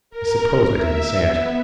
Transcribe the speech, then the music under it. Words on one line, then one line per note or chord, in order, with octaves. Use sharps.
I suppose I did say it.
A#4
E5
B3